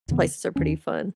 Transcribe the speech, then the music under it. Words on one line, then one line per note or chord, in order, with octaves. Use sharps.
places are pretty fun.
E2 C#3 E3 B3
D#2 D#3 A3 C#4